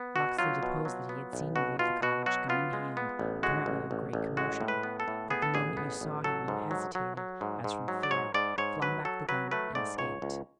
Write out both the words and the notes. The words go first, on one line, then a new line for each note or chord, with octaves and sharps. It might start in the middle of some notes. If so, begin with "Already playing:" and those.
"Locksley deposed that he had seen you leave the cottage, gun in hand, apparently in great commotion; that the moment you saw him, you hesitated, as from fear, flung back the gun, and escaped."
Already playing: B3
B2 F#4
F#3 F4
B2
F#3
B3
B1
B2 F#4
B2 F4
B2 F#4
F#3 F#4
B3 F4
G#3
B3
A1
G#3 F#4
A1
A1
A1
G#3 F#4
A2
B4
B3
A4
A2
B3 G#4
A4
A1 G#4
B3
A1
F#3 A4
G#2
F#3
F#3
F#3
G#2
G#2
F#3
D5
G#2 C#5
G#2 D5
G#2 C#5
F#3 B4
F#3 A4
F#3 B4
A3 B4
G#2 D5
C#2 C#5
C#2